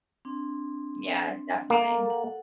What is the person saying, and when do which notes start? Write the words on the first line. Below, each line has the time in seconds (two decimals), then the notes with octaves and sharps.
Yeah, definitely.
0.25 C4 D4
1.70 A#3 A4 A#4 A#5
2.06 A4 F#5